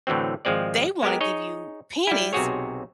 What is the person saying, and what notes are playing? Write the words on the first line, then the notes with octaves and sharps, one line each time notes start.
They wanna give you pennies
A2 D3 E3 F#3 C4
G#1 F3 G#3 C4 D5
G#3 B3 G4 A#4
D#4 G#4 C#5 D#5
G3 E4
B1 C3 C4 F#4 G#4 C#5